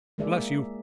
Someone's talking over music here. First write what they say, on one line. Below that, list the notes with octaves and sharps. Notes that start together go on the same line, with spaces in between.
Bless you!'
G#3 A#3 G#4 D5 E5